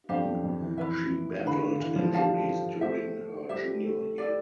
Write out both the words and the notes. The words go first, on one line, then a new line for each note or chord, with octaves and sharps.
She battled injuries during her junior year.
F2 D4 G4 C5 F5
F2
F2
E3
E3 E4 B4 E5
D3 B4 F5 B5
D3
E3
F3
G3 F4 C5 F5 A5
A3 G4 C5 E5
G3 G4 C5 E5
A3
E4 G4 D5